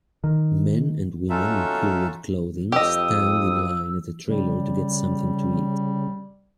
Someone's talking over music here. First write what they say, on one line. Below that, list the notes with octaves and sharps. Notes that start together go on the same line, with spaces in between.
Men and women in period clothing stand in line at a trailer to get something to eat.
D#3
C#4 D#4 F4 F#4 A4 E5
F2 G4 D#5 D#6 E6
C#3 G3